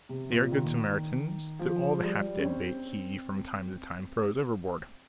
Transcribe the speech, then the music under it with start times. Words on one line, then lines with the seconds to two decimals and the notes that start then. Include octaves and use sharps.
They are good Samaritans to all the half-dead bait he from time to time throws overboard.
0.09 C3
0.32 A#2
0.52 D#3
1.59 F3
1.96 G#3
2.02 G3
2.39 C#4
2.45 C4